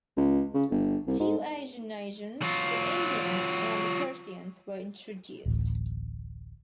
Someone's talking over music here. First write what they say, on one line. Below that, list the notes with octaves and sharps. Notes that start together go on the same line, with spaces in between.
Two Asian nations, the Indians and the Persians, were introduced.
C#2
C#3
G1
C2
G#2
F#3 F4
D1 A1